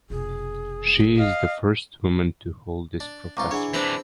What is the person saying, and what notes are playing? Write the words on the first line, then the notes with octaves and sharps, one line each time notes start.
She is the first woman to hold this professorship.
F1 B2 G#4
D#5 F5
D4
C2 G2 F4 A#5 C#6 D6
E3 D4 G#4 C#5 F#5
E3 C4 D4 B4 C5 A#5